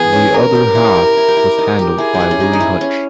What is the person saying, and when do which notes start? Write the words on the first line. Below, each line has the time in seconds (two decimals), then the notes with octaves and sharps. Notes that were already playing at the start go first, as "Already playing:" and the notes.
The other half was handled by Willie Hutch.
Already playing: E3 B3 G#4
0.13 C#4
0.34 A#4
0.55 G4
0.75 E4
0.96 G4
1.17 E4
1.28 G4
1.37 E4
1.58 D#4
1.79 G4
1.98 E4 G#4
2.14 G4
2.20 E4
2.31 C#4
2.40 D#4
2.53 D#4
2.60 E4
2.81 C#4